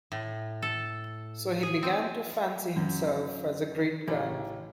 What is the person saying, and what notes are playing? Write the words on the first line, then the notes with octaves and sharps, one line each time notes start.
So he began to fancy himself as a great gun.
A2
A4
G#4
C4
F#2
A1